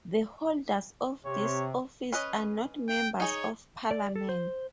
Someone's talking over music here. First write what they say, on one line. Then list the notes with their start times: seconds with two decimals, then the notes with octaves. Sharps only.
The holders of this office are not members of Parliament.
1.25 C3 C#5
2.12 C#4 B4 D#5
2.89 G5
3.20 D#4 G#4 C#5 D#5
3.91 D5
4.16 A4
4.29 C5